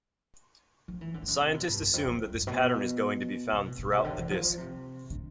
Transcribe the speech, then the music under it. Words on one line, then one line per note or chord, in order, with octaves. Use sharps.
Scientists assume that this pattern is going to be found throughout the disk.
F3
E3
D3
E3
D3
C3
B2
G2
E2
F2
F2
F2
G2
B2
C3
B2
B2
C3
D3
E3
F3
E3
C3
D3